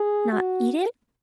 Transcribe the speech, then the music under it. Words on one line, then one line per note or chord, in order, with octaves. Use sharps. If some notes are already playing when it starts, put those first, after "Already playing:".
Not eat it?
Already playing: G#4
F#4